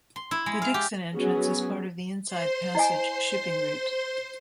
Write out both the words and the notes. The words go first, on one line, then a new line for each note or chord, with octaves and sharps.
The Dixon Entrance is part of the Inside Passage shipping route.
C6
E4
G#3
F5
G4
F#3 B3 C#4 F#4 G#4
C5 C6
E4 D#5 G#5